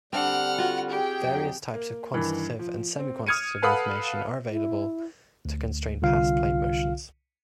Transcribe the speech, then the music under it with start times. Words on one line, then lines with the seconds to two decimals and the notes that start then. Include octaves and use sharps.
Various types of quantitative and semi-quantitative information are available to constrain past plate motions.
0.13 D3 G3 C4 D4 F#5 F6
0.58 F4 F#4
0.90 G4 G#4 G5
1.20 F2 F#3
1.74 A#3
2.14 G2 D#3 E3
2.59 F3
2.99 C4
3.26 D#6 F6 G#6 C#7 D#7
3.62 A4 B4 F5 F#5 B5 D#6
4.51 E4
5.45 D2
6.02 C2 D3 F4 F5